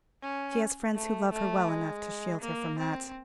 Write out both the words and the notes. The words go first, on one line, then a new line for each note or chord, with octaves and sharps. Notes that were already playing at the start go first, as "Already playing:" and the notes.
"She has friends who love her well enough to shield her from that."
C#4
A3
A3
G#3
A#3
C4